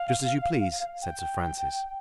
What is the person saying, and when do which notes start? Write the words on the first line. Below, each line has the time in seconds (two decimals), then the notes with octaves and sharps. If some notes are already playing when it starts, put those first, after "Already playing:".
"Just as you please," said Sir Francis.
Already playing: F5
1.02 G5